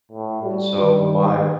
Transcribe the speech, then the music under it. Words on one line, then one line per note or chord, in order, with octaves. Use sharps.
and so my
A2
G3 F#4
D#3